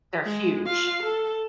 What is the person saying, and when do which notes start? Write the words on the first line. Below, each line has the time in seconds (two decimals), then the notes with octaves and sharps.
They're huge.
0.23 G#3
0.67 F4 F5
1.03 A4